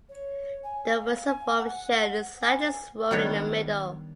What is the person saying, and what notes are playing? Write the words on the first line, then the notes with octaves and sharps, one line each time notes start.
The fusiform shell is slightly swollen in the middle.
C#5
G#5
F5
G#5
F#5
G#5
D#3 G3 B3 D4 C#5